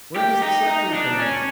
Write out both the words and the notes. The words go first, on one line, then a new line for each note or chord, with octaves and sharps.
Where has the suffering come in?
G4
D#4
D#4
D4
C#4